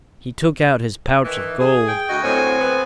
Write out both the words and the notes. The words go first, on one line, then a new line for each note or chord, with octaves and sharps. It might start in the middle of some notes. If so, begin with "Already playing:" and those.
He took out his pouch of gold.
D#3 E3
G#4
G5
D2 F#4 D#5
A2 F#3 C4 G#5
B3